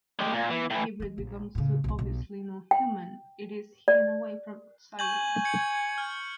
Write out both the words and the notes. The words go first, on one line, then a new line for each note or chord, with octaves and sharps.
When the hybrid becomes too obviously non-human, it is hidden away from outsiders.
G#3 G4
A#2
E3
A2 E3
E3 G#3
A#1
A2 C#3
B1 F2
B1 B2
G5
D5
G#5 C#6 G6 F#7
G#6 C#7 F#7
F6